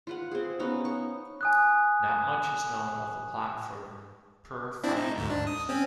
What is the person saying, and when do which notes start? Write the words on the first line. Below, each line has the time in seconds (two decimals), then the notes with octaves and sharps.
Not much is known of the plot for "Per Fine Ounce".
0.07 F4 B4 F#5
0.31 C4 G#4
0.59 B3 C#4 D#4 F5
0.85 C#6
1.41 G#5 D#6 F#6
4.83 C4 D4 E4
4.97 D#4
5.18 D2 G#2
5.30 D4
5.47 D#6
5.69 C4 C#4